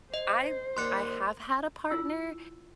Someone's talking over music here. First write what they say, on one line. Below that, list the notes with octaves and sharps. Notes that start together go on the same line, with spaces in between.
I I have had a partner,
C5 D#5
D#2 D5 F#5 C6 F#6 C#7
E4 F4 E6